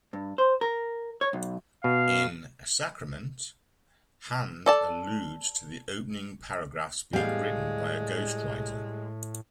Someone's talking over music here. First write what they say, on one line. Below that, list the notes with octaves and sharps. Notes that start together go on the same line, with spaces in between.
In "Sacrament", Hand alludes to the opening paragraph's being written by a ghostwriter.
G2
C5
A#4
C#5
B1
B2 F5
A4 D5 A5
A2 G3 G#3 F5